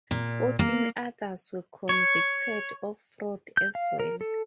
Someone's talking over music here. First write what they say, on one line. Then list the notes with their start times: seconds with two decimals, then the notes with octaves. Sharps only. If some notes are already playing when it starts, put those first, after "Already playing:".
Fourteen others were convicted of fraud as well.
0.11 A#2
0.59 A#3
1.89 C#5
3.57 G6
3.75 F5
4.00 A#4
4.21 A4